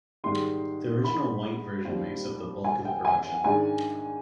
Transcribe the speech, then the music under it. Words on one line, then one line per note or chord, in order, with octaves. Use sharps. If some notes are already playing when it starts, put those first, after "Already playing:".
The original white version makes up the bulk of the production.
G#2 D#3 G3 C6
B5
D#2 D#3 G3 C4 F4
G#5
G5
G#5
G#2 D#3 G#3 D4 G#5